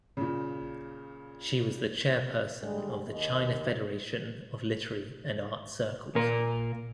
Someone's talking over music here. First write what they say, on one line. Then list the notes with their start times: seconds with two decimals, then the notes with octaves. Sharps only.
She was the chairperson of the China Federation of Literary and Art Circles.
0.17 A#2 C#3
2.62 D3 G3 G#3
3.09 D#2 D#5
6.15 A#2 A#4